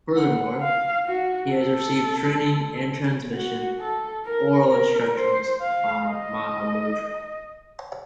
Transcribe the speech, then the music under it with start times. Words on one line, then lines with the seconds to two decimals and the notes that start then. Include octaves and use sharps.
Furthermore, he has received training and transmission, oral instructions on Mahamudra.
0.16 F#5
0.61 F5
1.07 F#4
1.52 A4
3.34 F#4
3.79 A4
4.25 A#4
4.71 A#4
5.16 C5
5.61 F5
6.07 D#5